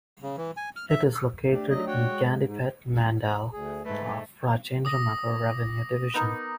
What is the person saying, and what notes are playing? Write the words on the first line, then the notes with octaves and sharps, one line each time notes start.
It is located in Gandipet mandal of Rajendranagar revenue division.
C#3
E3
G#5
F6
E5
A3 D4 G4
F#3 D#5
F#4 C#5 G5
G#3
G#2
D2 G#4
G#2 A3 B4
D6 D#6 A#6
B3 D#4 A#4